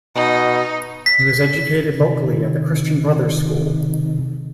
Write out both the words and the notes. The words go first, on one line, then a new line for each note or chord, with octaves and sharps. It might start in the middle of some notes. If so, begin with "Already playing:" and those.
He was educated locally at the Christian Brothers School.
B2 D#4
B6
C3 D#3